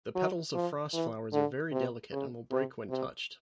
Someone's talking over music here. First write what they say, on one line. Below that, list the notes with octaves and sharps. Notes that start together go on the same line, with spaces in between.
The petals of frost flowers are very delicate and will break when touched.
F#3
F3
E3
D3
C3
C#3
C3
C3